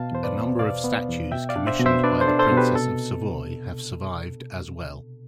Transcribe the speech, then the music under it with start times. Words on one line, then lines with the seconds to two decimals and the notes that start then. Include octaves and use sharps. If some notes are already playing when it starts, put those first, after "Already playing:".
A number of statues commissioned by the Princess of Savoy have survived as well.
Already playing: B2 F5 A5
0.12 E2 C5
0.23 B4 D5
0.36 B3
0.59 B2 D5 F5
0.84 B3
1.08 E2
1.32 B2 E5 G5
1.49 D5 F5
1.56 D4
1.67 C5 E5
1.79 B2
1.86 C5 E5
2.03 D4 B4 D5
2.21 A4 C5
2.28 D4
2.39 A4 C5
2.51 B2
2.57 G4 B4
2.75 C3 A4